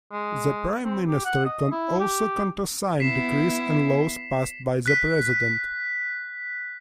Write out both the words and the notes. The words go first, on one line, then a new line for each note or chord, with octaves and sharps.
The prime minister can also countersign decrees and laws passed by the president.
G#3
C4
G4
F#5
D#5
E4
G4
B3 E4 B6 C7 E7
F#6 B6